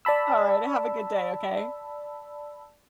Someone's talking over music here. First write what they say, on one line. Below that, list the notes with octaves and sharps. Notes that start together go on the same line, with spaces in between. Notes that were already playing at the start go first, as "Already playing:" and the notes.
Alright. Have a good day, okay?
D5 A5 B5 E6